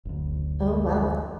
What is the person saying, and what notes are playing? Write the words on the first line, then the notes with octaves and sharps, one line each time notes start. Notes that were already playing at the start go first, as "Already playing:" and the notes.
Oh, wow.
F#1 D2